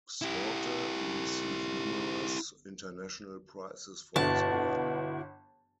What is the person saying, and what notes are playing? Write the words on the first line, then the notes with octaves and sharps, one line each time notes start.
Swarte received numerous international prizes for his work.
E4 G4
G1 B2 E4 F#4 A5